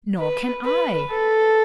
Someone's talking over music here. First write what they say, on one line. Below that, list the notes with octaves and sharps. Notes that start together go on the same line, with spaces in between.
"Nor can I."
B4
B4
A4